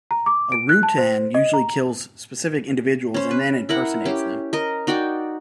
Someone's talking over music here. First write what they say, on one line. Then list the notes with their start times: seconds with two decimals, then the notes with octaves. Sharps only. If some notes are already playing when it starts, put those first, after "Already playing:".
A Rutan usually kills specific individuals and then impersonates them.
0.11 A#5
0.26 D6
0.52 D7
0.69 F#6
0.83 A5
0.98 C5
1.34 D#5
1.54 A#5
3.14 C#4 C5
3.31 B4
3.69 E4 A#4 F#5
4.05 C#4 G4
4.53 A#4 D#5
4.87 D#4 F#4 D5 G5